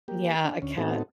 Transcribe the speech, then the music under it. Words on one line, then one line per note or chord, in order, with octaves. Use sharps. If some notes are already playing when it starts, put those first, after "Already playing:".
Yeah, a cat.
A#3 G4
D4
D2 C#4
A2 B3 C4 D#4 F#4 A4